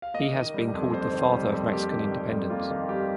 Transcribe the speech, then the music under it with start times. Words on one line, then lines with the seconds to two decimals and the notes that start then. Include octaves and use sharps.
He has been called the "father of Mexican independence".
0.02 F5
0.14 A#3 D#5
0.35 D#3
0.54 G3
0.74 F2
0.93 A#3 C5
1.13 D#3
1.32 G3
1.52 F2
1.71 A#3 G4
1.91 D#3
2.11 G3
2.31 F2
2.50 A#3 F4
2.70 D#3
2.89 G3 G4